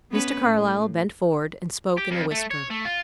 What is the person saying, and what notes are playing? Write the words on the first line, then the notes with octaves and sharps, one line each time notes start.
Mr. Carlyle bent forward and spoke in a whisper.
B3 C#4 B4
A2
G4
F2
A3
C#5
A3
F4